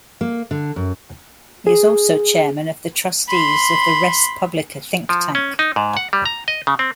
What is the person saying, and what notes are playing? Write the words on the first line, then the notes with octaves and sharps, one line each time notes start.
He is also chairman of the trustees of the ResPublica think tank.
A#3
D3
F#2
G#4
B5 C6
F3
C#4
D#4
G#2
F#5
G3
A#5
D#5
C#3
C4